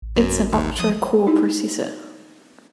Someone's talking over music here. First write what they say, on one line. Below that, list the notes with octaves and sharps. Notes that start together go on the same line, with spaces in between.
It's an octa-core processor.
A1
F#2
D#2
F3 D#6
D#4 E4 G4